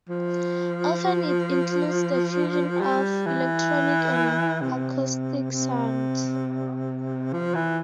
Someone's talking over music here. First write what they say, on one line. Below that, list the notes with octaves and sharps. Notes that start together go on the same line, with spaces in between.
Often it includes the fusion of electronic and acoustic sounds.
F3
G3
E3
C3
C3
F3
E3